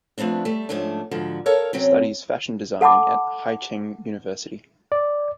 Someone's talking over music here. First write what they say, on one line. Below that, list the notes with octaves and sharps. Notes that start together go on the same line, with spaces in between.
Studies fashion designing at Haicheng University.
F3 A3 B3 C4 D4
G3 A3
G#2 F3 A3 C#4 D4
G#2 D3 F3 F#4
A4 A#4 C#5 F5
C3 F#3 C4 C#4
A4 F#5 A5 B5 D6
D5